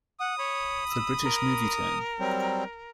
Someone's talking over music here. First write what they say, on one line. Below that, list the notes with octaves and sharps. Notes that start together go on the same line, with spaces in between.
For British Movietone.
F#5 D#6
C#5 B5
E6
A#4
F#3 G3 C4